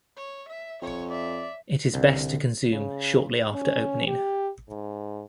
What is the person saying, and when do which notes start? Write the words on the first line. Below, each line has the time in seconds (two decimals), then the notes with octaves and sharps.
It is best to consume shortly after opening.
0.17 C#5
0.48 E5
0.82 F2 C#5
1.10 D5 E5
1.94 C2 D3
2.73 C#3
3.55 C#4
4.07 G4
4.70 G#2